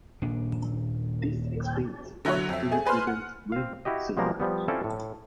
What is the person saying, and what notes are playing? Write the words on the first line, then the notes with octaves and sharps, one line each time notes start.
This explains why Stewart resents Remy so much.
D#1 A#2 D4
D3 F#3 E4 F#4 C#5
F2 E5
A3 G#4
G#4 B4 C5 C6 F6
F#5
C4 F5
E4 F#4 G4 D#5
B2 F3 G3 G#3 A#3 A#4
F3 G3 B3
C4 C#4 E4 F4 A4 D5
A2